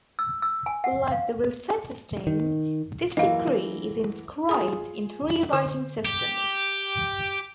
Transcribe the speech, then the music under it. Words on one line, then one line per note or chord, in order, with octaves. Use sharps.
Like the Rosetta Stone, this decree is inscribed in three writing systems.
E6
E6
G#5
F#5
F5
D#3
E3 F#3 A#3 D#5 F5
F4 G#4 B5 D#6
D3 C5
G4